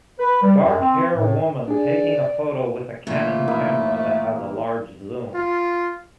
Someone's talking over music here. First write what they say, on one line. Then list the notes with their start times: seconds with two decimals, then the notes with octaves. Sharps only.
Dark hair woman taking a photo with a canon camera that has a large zoom.
0.19 B4
0.43 G3
0.63 F#2
0.79 C4
1.15 A2
1.68 D4 G#4 D5
3.07 A#2 E3 A3 F4
3.48 A#3 D#4 E4
5.34 F4